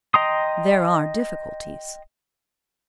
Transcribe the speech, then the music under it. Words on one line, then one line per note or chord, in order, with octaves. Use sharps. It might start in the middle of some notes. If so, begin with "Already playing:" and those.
There are difficulties.
D#5 G5 A#5 C6 D#6